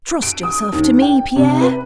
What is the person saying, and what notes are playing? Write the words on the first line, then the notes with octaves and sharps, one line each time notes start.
Trust yourself to me, Pierre.
D7
D#6
D#2
G5
C3
B4